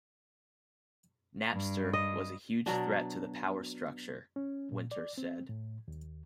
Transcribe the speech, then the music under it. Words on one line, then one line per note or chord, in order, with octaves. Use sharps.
"Napster was a huge threat to the power structure," Winter said.
G2
D#5
B2 F#3 D4
C#4
A#2
D5
C4
A2
D#2